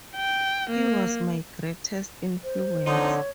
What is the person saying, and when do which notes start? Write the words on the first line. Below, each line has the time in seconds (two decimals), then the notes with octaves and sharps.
He was my greatest influence.
0.16 G5
0.70 A#3
2.44 C5
2.86 D3 F3 C4 D#4 C#5